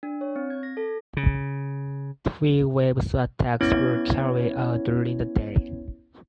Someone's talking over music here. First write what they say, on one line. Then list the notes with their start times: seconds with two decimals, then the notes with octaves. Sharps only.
Three waves of attacks were carried out during the day.
0.03 D4
0.21 C#5
0.36 C4
0.50 G#6
0.63 A#6
0.77 A4
1.17 C#3
3.61 B3 C#4 E4 C#5 G#6